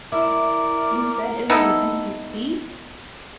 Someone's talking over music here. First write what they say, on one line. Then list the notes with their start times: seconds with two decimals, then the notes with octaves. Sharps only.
You said it was an empty sleeve?
0.12 E4 A#4 D5
1.50 B3 D#4 E4 A4